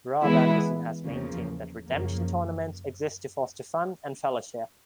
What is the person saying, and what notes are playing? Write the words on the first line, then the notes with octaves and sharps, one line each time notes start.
Rob Anderson has maintained that Redemption Tournaments exist to foster fun and fellowship.
E3 G#3 B3 E4 G#4
E2 C#3 F3 A#3
F#2 C#3 F3 A#3